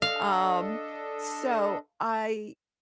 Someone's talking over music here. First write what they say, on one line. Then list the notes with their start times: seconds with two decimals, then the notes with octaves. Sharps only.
um, so I
0.02 D4 A4 D#5 F5